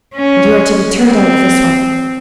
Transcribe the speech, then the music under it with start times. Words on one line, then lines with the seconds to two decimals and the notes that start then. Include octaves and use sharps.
"And you are to be turned out of this one."
0.15 C#4
0.98 C4